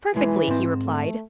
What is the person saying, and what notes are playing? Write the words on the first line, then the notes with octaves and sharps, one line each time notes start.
"Perfectly," he replied.
B1 E3 G#3
G#2 C4
A3